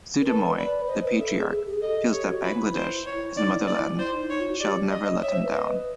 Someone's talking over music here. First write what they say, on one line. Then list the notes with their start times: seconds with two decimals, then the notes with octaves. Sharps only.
Sudhamoy, the patriarch, feels that Bangladesh, his motherland, shall never let him down.
0.21 A#4
0.26 A4 B4
0.42 B4
0.58 B4 D5
0.82 B4
0.88 C5 D#5
1.04 B4
1.19 A4 E5
1.35 G#4
1.50 G#4
1.66 G4
1.74 G#4
1.81 A4 D#5
2.12 G4 C#5
2.23 F4
2.28 F#4
2.44 F4 B4
2.58 E4
2.75 C5
3.06 C#5
3.36 D#4 D5
3.53 E4
3.67 E4 D5
3.84 E4
3.99 E4 C5
4.14 D#4
4.30 D#4 C#5
4.40 F4
4.50 F#4
4.60 G4 D5
4.91 D#5
5.22 C#5 E5
5.32 C5
5.43 B4
5.53 B4 D#5